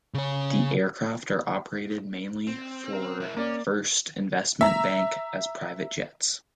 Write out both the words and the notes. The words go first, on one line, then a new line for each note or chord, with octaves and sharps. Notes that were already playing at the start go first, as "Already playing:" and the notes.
The aircraft are operated mainly for First Investment Bank as private jets.
C#3 C#5
C4
A#4
G#3 E4
A#3 C#4 D5
E5 A#5